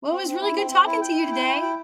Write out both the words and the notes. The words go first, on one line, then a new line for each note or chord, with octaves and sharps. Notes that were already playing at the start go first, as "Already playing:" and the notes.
Well, it was really good talking to you today.
C4
C4
E4
C4
C4
E4
G5
E4
G5
E4
G5